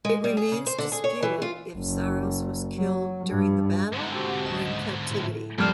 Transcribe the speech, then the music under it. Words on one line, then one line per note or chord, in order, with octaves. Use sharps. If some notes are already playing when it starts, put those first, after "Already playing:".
It remains disputed if Psarros was killed during the battle or in captivity.
G#3
G3
G#4
C#3
C5
D3
G#4
C#5
E3
F4
F#1
F#3
G2
G#2 D3
C4 F#4 G4
C#2 D#5 E7
A2
F2 A#2 G3 C5 F6